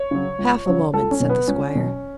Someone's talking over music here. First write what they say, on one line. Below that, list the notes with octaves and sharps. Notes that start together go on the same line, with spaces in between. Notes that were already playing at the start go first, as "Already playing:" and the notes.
"Half a moment," said the squire.
Already playing: C#5
C#3 F#3
C#2
C#3 F#3
C#2 A4
C#4
B2 F#3
B3
C#2 C#4
B2 F#3